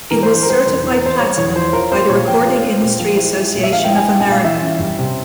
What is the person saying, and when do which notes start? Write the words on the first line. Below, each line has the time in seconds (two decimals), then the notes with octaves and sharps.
It was certified Platinum by the Recording Industry Association of America.
0.11 E3 A#4
0.23 C5
0.29 A#3
0.35 C5
0.43 A#4
0.47 G3 C5
0.66 E2
0.83 E3
0.93 A#4
1.01 A#3 C5
1.19 G3 C#5
1.37 E2 C#5
1.56 F3 C5
1.73 F4 A#4
1.92 C4 C5
2.09 A#2 C#5
2.27 F3 G5
2.45 F4
2.64 C4
2.82 A#2
3.00 F3
3.17 E4
3.36 G#3
3.55 A#2
3.63 E5
3.72 F3 F5
3.84 G5
3.90 E4
3.96 G#5
4.08 G#3 G5
4.20 G#5
4.27 A#2 F5
4.44 E3 E5
4.62 C#4
4.81 G3
4.98 C3